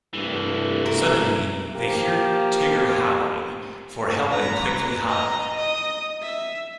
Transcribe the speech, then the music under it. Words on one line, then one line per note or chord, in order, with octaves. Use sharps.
Suddenly, they hear Tigger howling, for help and quickly hide.
C2 G2 E3 A3
B2 A#4
F3 A#3 G4
B4 A#5
D#5 A#5
D#5 D#6
E5